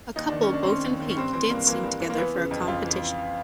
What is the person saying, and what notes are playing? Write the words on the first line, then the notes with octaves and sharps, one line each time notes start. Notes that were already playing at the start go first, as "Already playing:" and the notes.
A couple, both in pink, dancing together for a competition.
D#2 D#4
D#3 D4
C#4
D#2 D4
C4
D#3 C#4
D#2
D#3
C#4
G2 C4
E3 C4
G2 A#3
E3 A#3
G2
E3
A#3
E3 B3
C#3
F2
F2 F4
E3